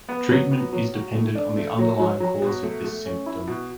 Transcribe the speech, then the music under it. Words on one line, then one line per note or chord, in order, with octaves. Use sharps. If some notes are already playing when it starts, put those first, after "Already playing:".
Treatment is dependent on the underlying cause of this symptom.
B3
F#3
B3
F#3
F#4
A3
D4
A3
F#3
F#3
F#3
B2
A3
A3
C#4
E4
B2